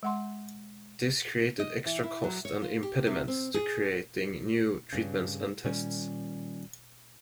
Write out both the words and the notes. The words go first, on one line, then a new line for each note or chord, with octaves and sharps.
This created extra costs and impediments to creating new treatments and tests.
G#3 F#5 C6
D#5
E3
E4
F#3
C#5
F4
G4
C3
C4
G#4
G2 C#3
A#2 D#3 G3 C#4